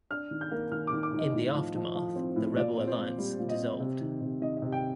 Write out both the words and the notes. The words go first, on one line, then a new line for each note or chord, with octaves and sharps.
In the aftermath, the rebel alliance dissolved.
D4 F6
D#3
G6
A#3
D#3 F6
D6
D#3
D6
D#3
D#5
A2
F3
F3
F3
C4
A2
A#2 D5
C4
C5
A#2
G3
A#2
D#5
C4
C3
D#3
C3
D#3 D#5
D#5
C3
G5